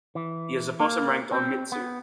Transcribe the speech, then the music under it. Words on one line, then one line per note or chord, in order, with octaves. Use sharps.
He is a bottom-ranked onmitsu.
E3
A#3
C4
B3